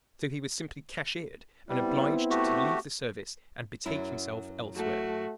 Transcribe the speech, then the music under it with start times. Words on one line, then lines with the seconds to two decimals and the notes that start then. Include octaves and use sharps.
So he was simply cashiered and obliged to leave the service and betake himself elsewhere.
1.69 G3 B3 C4 E4
2.30 A3 F#4 G4
3.86 F#2 F#3 E4
4.75 A3 F#4